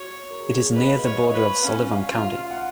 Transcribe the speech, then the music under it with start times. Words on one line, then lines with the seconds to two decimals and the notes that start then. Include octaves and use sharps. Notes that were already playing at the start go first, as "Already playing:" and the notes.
It is near the border of Sullivan County.
Already playing: F#4 C#5
0.31 A#4
0.40 G#4
0.49 F#4
0.57 G#4
0.75 B4 D#5
0.87 F5
0.99 D#5
1.04 C#5
1.19 D#5
1.33 B4
1.63 C#4 F5
1.92 F5
2.07 F4
2.21 F5
2.51 F#5